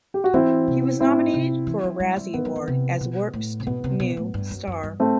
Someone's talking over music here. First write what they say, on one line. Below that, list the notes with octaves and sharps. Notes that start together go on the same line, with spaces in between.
He was nominated for a Razzie Award as Worst New Star.
G4
F#4
E3 C4 E4
C3
A2 C4 E4
C3
E3
F#3
G3
G3
E3 B3
F#3
E3
C3
B2
A2
C3
B2 B3
C3
B2
A2
G2
F#2
F#2
G2
A3 C4